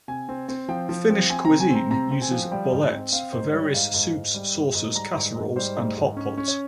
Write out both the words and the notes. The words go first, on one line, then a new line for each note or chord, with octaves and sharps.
Finnish cuisine uses boletes for various soups, sauces, casseroles, and hotpots.
C3 G#5
C4
C4
F3 G5
F3
C4
C4 G#5
A#5
C3
G#5
C4
A#5
C3 A#5
C4
G#5
F3
G3 G5
G#2
C4
C4 F5
G#2 C5
G3 C#5
G#2 F5
G#2
G#2
G3
G#2
G#2
G3 A#5
G#2
G#2
G3 C5
G#2
G#2
C#4
C#4
C#5